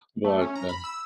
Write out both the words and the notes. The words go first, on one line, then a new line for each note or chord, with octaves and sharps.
but, uh
A3
C#4
A#5
B5
E6